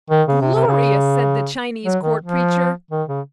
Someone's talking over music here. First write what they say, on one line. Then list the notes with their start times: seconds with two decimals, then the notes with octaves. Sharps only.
"Glorious!" said the Chinese Court Preacher.
0.10 D#3
0.28 C#3
0.42 C3
0.55 C3
0.67 C#3
1.86 F#3
2.03 D#3
2.22 F3
2.91 D#3
3.09 C#3